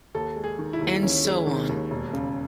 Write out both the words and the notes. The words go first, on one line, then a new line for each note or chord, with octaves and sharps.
And so on.
D#2 A4
G#3
G#4
D#3
E4
D#2
D#2 C#4
G#3
D#3
D#2
E1
C#3